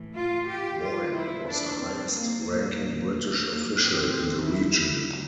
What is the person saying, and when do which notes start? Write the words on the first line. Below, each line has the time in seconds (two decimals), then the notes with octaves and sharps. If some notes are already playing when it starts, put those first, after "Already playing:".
Moyne was the highest ranking British official in the region.
Already playing: A2 E3
0.15 F4
0.48 G4
0.81 F4
1.15 A#2 E4
1.48 D4
1.81 C4
2.15 A#3
2.48 A#2 A#3
3.14 A3
3.47 A#3
3.81 A2 E3 C4
4.47 E4